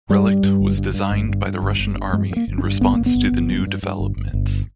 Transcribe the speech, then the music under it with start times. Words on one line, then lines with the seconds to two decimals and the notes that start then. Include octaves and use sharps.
Relikt was designed by the Russian army in response to the new developments.
0.10 G2 G3
0.27 G2
0.43 G2
0.61 G1
0.78 G2
0.94 G2
1.11 G1
1.29 G2
1.46 G2
1.63 G1
1.79 G1
1.96 G2
2.13 G2 G#3
2.31 G2
2.36 A#3
2.48 G1
2.58 C#4
2.64 G2
2.81 G1 B3
2.94 A#3
2.99 G1
3.06 B3
3.15 G1
3.32 G1
3.50 G2
3.67 G2
3.83 G2
4.00 G1
4.17 G1
4.33 G1